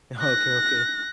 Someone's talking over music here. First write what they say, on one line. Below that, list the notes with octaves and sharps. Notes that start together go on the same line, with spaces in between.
Okay, okay.
F#6 A#6